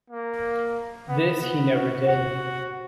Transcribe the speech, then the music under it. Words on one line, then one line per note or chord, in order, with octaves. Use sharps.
This he never did.
A#3
B3
B3
F#4
F#4